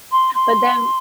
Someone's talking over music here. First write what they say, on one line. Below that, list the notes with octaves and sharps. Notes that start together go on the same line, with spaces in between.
but then
C6
C6